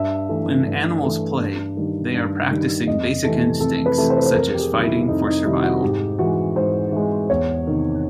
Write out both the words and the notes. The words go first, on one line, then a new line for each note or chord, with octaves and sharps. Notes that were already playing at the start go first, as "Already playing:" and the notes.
When animals 'play' they are practising basic instincts, such as fighting, for survival.
Already playing: G2 E5
E3 A3
G2
E3 A3
G2
D#3 G3
G2
D#3 G3
F2 D#5
C3 E3 A3
F2 A4
B4
C3 E3 A3
C5
B4
C5
F2 A#4
G4
G#4
C3 D#3 G3
E4
E4
F2 D#4
D#4
C3 D#3 G3 E4
F#4
G#2 G4
E3 G#3 F#4
G#2 C5
E3 G#3
E2 C#5
C3 D#3